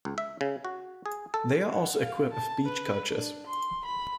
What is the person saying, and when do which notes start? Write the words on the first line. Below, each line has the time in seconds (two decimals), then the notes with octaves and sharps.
They are also equipped with beach couches.
0.05 C#2
0.18 E5
0.41 C#3
0.65 F#4
1.06 G#4
1.34 A4
1.70 F#5
2.00 F5
2.31 A5
2.65 B4
3.09 D4
3.47 C6
3.85 B5